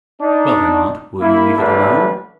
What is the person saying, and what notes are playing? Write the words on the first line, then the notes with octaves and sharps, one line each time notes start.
"Well then, aunt, will you leave it alone?"
D4 D#4
A#3 E4
A1 D3 G3 A3 A#3 B4